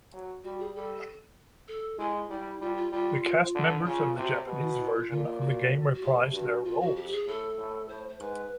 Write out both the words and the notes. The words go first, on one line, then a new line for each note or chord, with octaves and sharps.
The cast members of the Japanese version of the game reprise their roles.
F#3
G3 F#4
G#4
G3 A4
A4
G#3 E4
G3 E4
G3 F4
F4
G3 F4
D3
C#3 F4
C3 F#4
G4
B2 F#4
E4
F4
A#2 F4
F4
F#4
F#4
A2 G4
G2 F#4
F2 F4
F#4
G4
G#4
A2 A4
A2
A2 C5
C5
G#2 B4